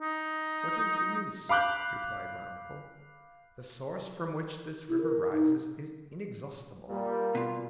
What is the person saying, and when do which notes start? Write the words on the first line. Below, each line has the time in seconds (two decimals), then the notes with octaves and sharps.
"What is the use," replied my uncle, "the source from which this river rises is inexhaustible."
0.01 D#4
1.49 F5 B5 D6 F#6 G6
4.89 E4
5.01 A#4
5.32 D#4
6.89 A#2 G3 A#3
7.35 B2 F4